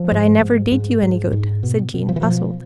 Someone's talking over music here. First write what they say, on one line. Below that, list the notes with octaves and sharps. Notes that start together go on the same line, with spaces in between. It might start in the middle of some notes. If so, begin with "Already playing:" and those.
"But I never did you any good," said Jean, puzzled.
Already playing: F3
G#2
G#2
G#2
G#2
G#2
B2
B2
F3
E3
B2 F3